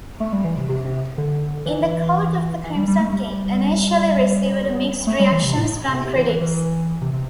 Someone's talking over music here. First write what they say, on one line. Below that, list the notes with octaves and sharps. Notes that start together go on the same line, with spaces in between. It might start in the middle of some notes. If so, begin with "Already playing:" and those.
"In the Court of the Crimson King" initially received mixed reactions from critics.
A3
G3
E3
C3
C3
C3
D3
E3
E3
G3
G3
A3
G3
A3
G3
E3
C3
A2
C3
C3
E3
E3
E3
C3
C3